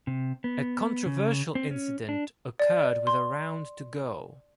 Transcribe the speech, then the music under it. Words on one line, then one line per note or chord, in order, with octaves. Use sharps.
A controversial incident occurred with around to go.
C3
B3
C#3
C4
C#4
D4
D5
C6